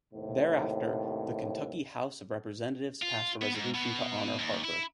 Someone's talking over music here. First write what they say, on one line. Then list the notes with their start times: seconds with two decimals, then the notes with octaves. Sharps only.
Thereafter, the Kentucky House of Representatives passed a resolution to honor Harper.
0.13 D#2 A2 C3
3.02 F4
3.42 B3
3.55 G#2
3.75 B2
4.39 D#2
4.65 E4